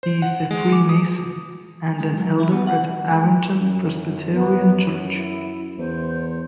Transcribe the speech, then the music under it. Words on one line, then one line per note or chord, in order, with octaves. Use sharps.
He is a freemason, and an elder at Avonton Presbyterian Church.
C5
F#5
G#3
D6
D#6
G#3
F#3
E4
B3
F#5
C2
D#3
G#3
F#2
B3
E4
E2 C5